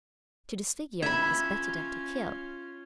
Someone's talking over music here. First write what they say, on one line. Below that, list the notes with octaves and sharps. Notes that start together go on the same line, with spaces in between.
To disfigure is better than to kill.
C#4 F4 E5 B5 G#6